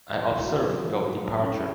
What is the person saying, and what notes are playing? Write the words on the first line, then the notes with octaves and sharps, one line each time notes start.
I observed your departure.
E4
E4
F#4
F#4
F#3
E3
F#3
F#3
F#3
A3
E4
C#4
E4